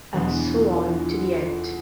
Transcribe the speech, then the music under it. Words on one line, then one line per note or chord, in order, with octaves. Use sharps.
And so on to the end.
E2 B2 G#3 B3 D4
E4
F4
F4
G#4
F4 A4